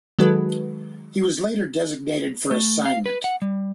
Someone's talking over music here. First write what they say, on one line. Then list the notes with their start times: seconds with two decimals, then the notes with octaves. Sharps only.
He was later designated for assignment.
0.19 D#3 F#3 G#3 F#4 A4 B4
2.51 A3
2.85 F5
3.06 B4
3.24 F#5
3.42 G3